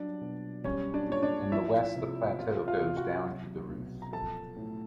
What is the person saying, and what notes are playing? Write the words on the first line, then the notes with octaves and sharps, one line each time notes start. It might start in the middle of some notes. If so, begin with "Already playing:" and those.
In the west the plateau goes down to the Reuss.
Already playing: A#2 F#3 G3 D4 D5
B2
G3 C#4 C#5
D4 D5
A#2 C#5
D4 D5
F3 E4 E5
C3
C3 F4 F5
F4 F5
C3
F#4 F#5
F#3
B2
A#5
F3 A4 A5
A2